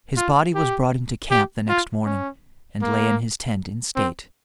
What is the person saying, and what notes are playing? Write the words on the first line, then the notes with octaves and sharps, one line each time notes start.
His body was brought into camp the next morning and lay in his tent in state.
F4
G4
G4
F4
C#4
A#3
C4